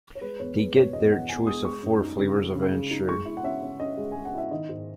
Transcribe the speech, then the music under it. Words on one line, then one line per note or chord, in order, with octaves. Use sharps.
They get their choice of four flavors of Ensure.
C#5
G#3 B4
E2 C#5
G#3 B4
B2 C#5
E2 D#5
E2 F#5
E2 G#5
G#3 D#6
G#3 C#6
F#2
D#4
C#3
G#3
C#3
G#3
D#4
G#3 C#6
E4
F#5
C#4 E5
C#4
C#4 D#5
G#3
G#3 G#5
F#5
E4 E5
D#3 D#5
G#2